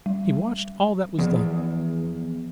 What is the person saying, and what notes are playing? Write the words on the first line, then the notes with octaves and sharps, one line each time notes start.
He watched all that was done.
G3
E2 F3 G#4